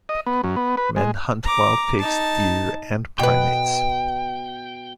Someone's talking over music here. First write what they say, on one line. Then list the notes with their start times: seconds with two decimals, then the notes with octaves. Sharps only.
Men hunt wild pigs, deer and primates.
0.09 D#5
0.27 B3
0.44 F#2
0.56 B3
0.77 B4
0.96 G#3
1.43 A#5 D6
1.99 D#4 A5
3.19 B2 B4 G5